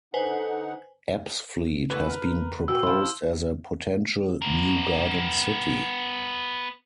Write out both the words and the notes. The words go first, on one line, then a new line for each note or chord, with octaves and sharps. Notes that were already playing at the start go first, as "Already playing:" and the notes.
Ebbsfleet has been proposed as a potential new garden city.
D3 D#4 B4 C5 F#5 G#5
E3 A3 B3 B4
A#4
A#2 F#4 G5 E6
F3 E4 C6
B3 A#4